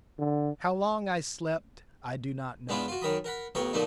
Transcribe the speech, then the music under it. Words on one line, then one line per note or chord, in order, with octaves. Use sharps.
How long I slept I do not know.
D3
G#3 B3 D4 E4 F4
F4 F#4
F#2 D#3 A#4 A#5 B5 D#6
A#4 F#5 B5
A1 F2 B3 A#4 G5 C#6
A#2 D3 F3 A3 A#3 D#4